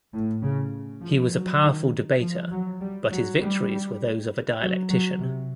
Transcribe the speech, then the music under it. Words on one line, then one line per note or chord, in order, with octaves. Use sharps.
He was a powerful debater, but his victories were those of a dialectician.
A2
C#3
F3
F#3
D#3
F3
F#3
G3
F#3
G3
F#3
F#3
C3